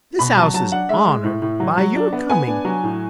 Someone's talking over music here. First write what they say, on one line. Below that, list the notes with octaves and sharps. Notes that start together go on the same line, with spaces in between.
"This house is honored by your coming."
B2 B5
F#3 A5
F#3 A5
D4 F#5
G#3 E5
G#3
A2
A2
F#3
F#3
D4
B3
B3 G#5
D4
F#3
A2